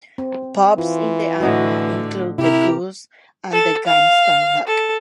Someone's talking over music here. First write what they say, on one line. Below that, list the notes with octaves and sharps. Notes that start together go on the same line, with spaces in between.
Pubs in the area include 'The Goose' and 'The Gamston Lock'.
C4
E3 F4
A2 D3 F#4 D#5
C3 E4 G4 A#4
A4
F5
A4